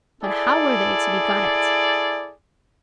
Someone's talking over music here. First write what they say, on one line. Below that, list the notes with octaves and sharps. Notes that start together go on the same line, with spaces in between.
But how were they to be got at?
E4 G#4 A4 D5